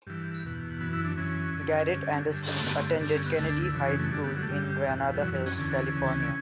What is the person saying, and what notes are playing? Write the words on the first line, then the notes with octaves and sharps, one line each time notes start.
Garret Anderson attended Kennedy High School in Granada Hills, California.
G2 E3
E2 B2
F#2 E3 B3
E4
D4
F#2 E3 C#4
F#2 D3
G2 D3
G2 D3
A3
G2 D3 B3
A3
B3
G2 D3 D4
C#4
B3
D2 D3 A3
D4
E4
F#2 C#3 E3 D4
C#4
A3
G2 D3 D4
B3
F#3
A3
G2 D3 G3
E2 B2
G3
F#2 E3 F#3
E3
C#4
E2 D3 C#4
D2 C#3 E3